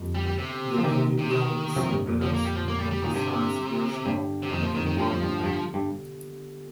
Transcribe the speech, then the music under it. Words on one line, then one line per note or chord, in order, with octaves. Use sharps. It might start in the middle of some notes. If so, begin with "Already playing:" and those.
The Indian Yell is San Beda's romanticized version of the Indian war whoop.
Already playing: F2
G3
G3
C3
F3
A#2 D#3
C3
D#3
C3 F3
G2 C3
F2 A#2
F3
A#3
G3
F3
A#3
G3
G3
A#2 D#3
G2 C3
G2
C3
F2 D#3
F3
F2 D#3
D#3
G2 F3
F2
G2
F2
G2
G2